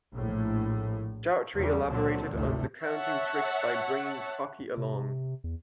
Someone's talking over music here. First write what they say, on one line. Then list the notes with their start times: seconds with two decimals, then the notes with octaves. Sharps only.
Daughtry elaborated on the counting trick by bringing Cocky along.
0.13 A#1 A2
1.55 E2 C#3 G3
1.86 C#2 A#2 D3 F#3 C4
2.33 G#1 D2 A2 C3 A3
2.83 C#5 E5 F#5 A5
4.77 C3
5.44 E2